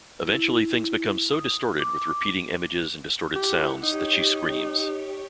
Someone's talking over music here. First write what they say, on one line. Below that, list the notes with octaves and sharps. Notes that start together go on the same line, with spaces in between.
Eventually things become so distorted with repeating images and disorted sounds that she screams.
E4
D#6
D6
E4 G4 F#5
D#4 G4 C#5